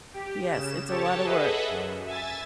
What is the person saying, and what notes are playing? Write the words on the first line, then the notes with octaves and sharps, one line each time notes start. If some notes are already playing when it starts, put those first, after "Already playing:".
Yes, it's a lot of work.
G4
C#3 E7
G4 A4 C#5 A5
G#4 A4 B4 D#5 E5 F#5
F#2
E5 G#5 A6